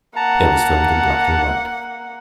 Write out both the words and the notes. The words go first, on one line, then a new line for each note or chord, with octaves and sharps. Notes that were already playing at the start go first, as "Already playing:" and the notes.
It was filmed in black and white.
A#3 F#5 A5 A#5